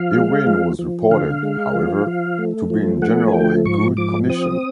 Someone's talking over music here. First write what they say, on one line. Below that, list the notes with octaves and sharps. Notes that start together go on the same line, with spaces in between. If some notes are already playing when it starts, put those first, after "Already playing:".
Irwin was reported, however, to be in generally good condition.
Already playing: F3 F5
G#3
F3
F3
D3 F5
G#3
F3
F3
A3
F3
A3 F#5
G#5
F3 G5
G#2 C#6
F3 D6
C4 D#6